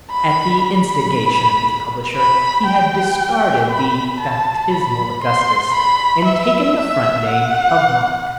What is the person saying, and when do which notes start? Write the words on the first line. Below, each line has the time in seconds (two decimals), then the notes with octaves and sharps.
At the instigation of his publisher he had discarded the baptismal Augustus and taken the front name of Mark.
0.11 B5
0.62 B5
2.16 B5
2.67 G5
3.69 B5
4.20 A5
4.72 B5
5.23 C6
5.74 B5
6.25 E5
6.76 E5
7.28 F#5